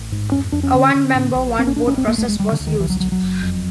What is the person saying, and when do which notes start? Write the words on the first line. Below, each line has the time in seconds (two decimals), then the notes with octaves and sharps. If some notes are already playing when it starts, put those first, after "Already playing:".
A One member, one vote process was used.
Already playing: A1
0.12 G#2
0.32 F2 C#4
0.52 F2 D4
0.63 C#4
0.74 D3
0.95 D3
1.15 A2
1.35 A#1
1.56 A1 C4
1.67 C#4
1.76 A1 D4
1.87 C#4
1.98 E1 C4
2.08 A#3
2.18 E1 A3
2.28 G#3
2.39 D2 G3
2.52 D3
2.60 D2
2.67 D#3
2.80 B1 E3
2.90 F#3
3.00 B1 F#3
3.12 F#3
3.22 F#1
3.42 F2